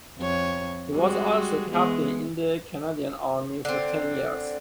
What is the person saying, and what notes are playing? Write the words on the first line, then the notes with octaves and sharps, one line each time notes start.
He was also a Captain in the Canadian Army for ten years.
F2 C#5
G3 G#3 F#4
E3 G#3 B3
D3 C4